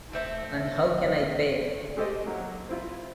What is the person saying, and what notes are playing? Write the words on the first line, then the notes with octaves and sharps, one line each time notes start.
And how can I pay?
A3 C4 E5
G#3 A3 G4 A4 C5 D#5
F#3 A#3
C4 E4 F4